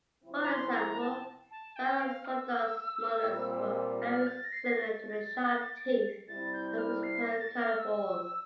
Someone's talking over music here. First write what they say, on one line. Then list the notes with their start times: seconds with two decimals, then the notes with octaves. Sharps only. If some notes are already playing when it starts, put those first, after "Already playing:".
For example, sparassodonts' molars were very similar to the sharp teeth of placental carnivores.
0.24 C3 F3 C4 E4
0.43 A#5
0.50 C6
0.75 A#5
1.00 A5
1.51 A5
1.76 G5
2.00 F5
2.25 E6
3.27 A#2 G3 C4
4.02 F6
4.27 A6
4.44 A#6
4.52 C7
4.71 A#6
4.78 A6
6.27 C3 G3 C4 E4 A6
6.53 G6
6.71 G6
6.78 F6
7.03 C7
7.22 A#6
7.41 A6
7.60 F6
7.79 E6